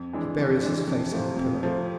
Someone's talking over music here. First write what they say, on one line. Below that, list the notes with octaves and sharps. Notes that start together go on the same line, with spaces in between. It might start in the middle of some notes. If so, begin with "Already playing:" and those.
He buries his face in the pillow.
Already playing: F2
E3 G#3 D4
F2
E3 G#3 D4
F2
C3 F3 A3
F2
C3 F3 A3